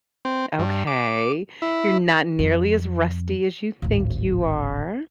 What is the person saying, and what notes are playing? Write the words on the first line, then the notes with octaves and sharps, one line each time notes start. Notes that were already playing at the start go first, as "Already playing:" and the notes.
Okay. You're not nearly as rusty as you think you are.
C4
G2
D6
E4
F2
D1 G#1